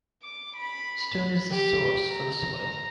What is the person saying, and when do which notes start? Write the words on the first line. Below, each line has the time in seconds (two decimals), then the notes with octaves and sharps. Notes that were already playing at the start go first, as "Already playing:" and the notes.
Stone is the source for the soil.
0.22 D6
0.56 B5
1.52 G4
2.10 A#5